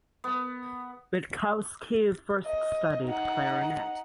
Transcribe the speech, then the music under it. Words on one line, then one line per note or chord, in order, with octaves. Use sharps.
Witkowski first studied clarinet.
B3
D#5
D#4 F#5